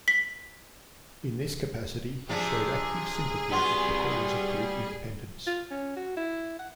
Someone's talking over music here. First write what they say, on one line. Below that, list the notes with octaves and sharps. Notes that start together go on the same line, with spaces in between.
In this capacity, he showed active sympathy with the cause of Greek independence.
B6
C3 F3 D4 G#4
G3 B3 F4 F#4 C6
F4
C#4
F#4
E4
F#5